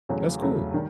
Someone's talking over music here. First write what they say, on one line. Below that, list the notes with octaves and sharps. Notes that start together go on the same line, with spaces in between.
That's cool.
E2 C#3 F#3 A3
E2 C#3 F#3 A3
D#3 G3